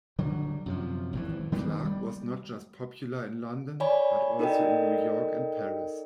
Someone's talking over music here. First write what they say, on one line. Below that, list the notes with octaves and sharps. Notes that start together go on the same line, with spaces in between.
Clark was not just popular in London, but also in New York and Paris.
D3 F#3 G3
F#2 C3 F3
G#1 A2 E3
D#3 G3 A#3 B3
G3
C#5 D5 G#5 B5
D#4 A4 A#4 D5 D#5 G5